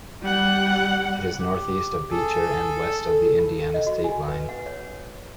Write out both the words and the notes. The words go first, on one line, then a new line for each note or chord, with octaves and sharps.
It is northeast of Beecher and west of the Indiana state line.
G3 F#5
G4
G#4 A4
A4
F4
D#5
F#4
G#5
B4
F#5
C#5